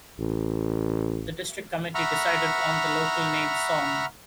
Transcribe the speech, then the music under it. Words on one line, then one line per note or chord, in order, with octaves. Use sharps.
The district committee decided on the local name Sogn.
A1
E5 F#5 A#5 B5 C#6 F6